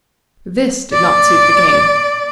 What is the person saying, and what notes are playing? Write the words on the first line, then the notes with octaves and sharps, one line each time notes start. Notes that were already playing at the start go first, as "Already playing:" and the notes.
This did not suit the king.
D5